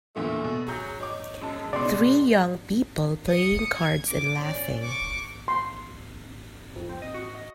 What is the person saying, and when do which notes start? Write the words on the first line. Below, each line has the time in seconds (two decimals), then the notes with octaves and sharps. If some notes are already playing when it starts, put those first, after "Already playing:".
Three young people playing cards and laughing.
0.16 E2 A#2 D3 A3
0.44 B2
0.68 F#3 G#4 A#5 G6
1.00 D#4 C#5 D6
1.41 F#2 G#3 A5
1.73 C#2 B2 D5 C6
3.29 D#6 C#7
3.76 G#6
4.08 D6
4.39 C#4 D5
4.83 C#6 D6
5.48 C6
6.76 F2
6.89 C4
7.02 D#5
7.14 F#4
7.35 D#5